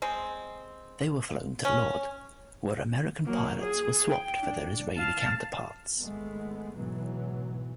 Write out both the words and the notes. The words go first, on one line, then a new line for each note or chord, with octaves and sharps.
They were flown to Lod, where American pilots were swapped for their Israeli counterparts.
G#3 C4
C#4
F#3 A#3
G#4
G5
D4
F5 A5
G#1 G#3 A3 B3
G#2 B2 E3 F#3